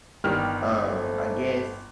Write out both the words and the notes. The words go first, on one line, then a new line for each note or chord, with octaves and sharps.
um, I guess
G1 D#3 G3 F6
A2 A4 C5